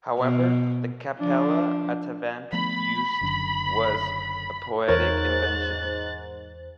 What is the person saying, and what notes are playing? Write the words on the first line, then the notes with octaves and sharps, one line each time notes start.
However, the Cappella Attavanti used was a poetic invention.
B2
F3 D4
F3 A3 B3 B5
F#1 F#2 D3
E2 G#2 A#4 C5 C#5 F#6 A6